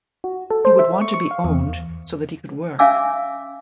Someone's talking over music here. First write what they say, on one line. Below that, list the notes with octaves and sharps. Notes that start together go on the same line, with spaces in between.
He would want to be owned, so that he could work.
F#4
A4
C5
E5
C#6
C#6
F5
E2
C#4 E5 F5 G#5 D6 E6